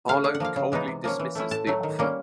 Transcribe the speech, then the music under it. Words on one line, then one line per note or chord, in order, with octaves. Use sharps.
Arlo coldly dismisses the offer.
A3 C#4 F5
D3 F5
F#5
F3 A#3 F5
C#3
E3 G#3 B3 D#4
C3
F3 A#3 C#4
E3
A3 C#4 E4
A2 A5
F#3 A3
D#3
G3 A#3 C#4